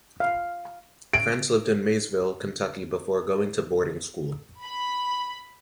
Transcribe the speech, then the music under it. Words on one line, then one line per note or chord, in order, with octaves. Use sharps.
Frantz lived in Maysville, Kentucky, before going to boarding school.
F5
D7
B5